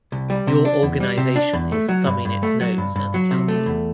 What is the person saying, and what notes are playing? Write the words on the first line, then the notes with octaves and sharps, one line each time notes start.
Your organization is thumbing its nose at the council.
C2
G3
C3
D4
E2
G3
C3
D4
E2
A3
F#3
G2
G2
A3
F#3
G2
G2
F#3
C3
A3
E2